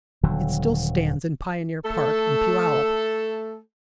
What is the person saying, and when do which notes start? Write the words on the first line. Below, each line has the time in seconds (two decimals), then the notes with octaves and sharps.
It still stands in Pioneer Park in Puyallup.
0.23 D#1 D3 F#3
1.85 A3 A4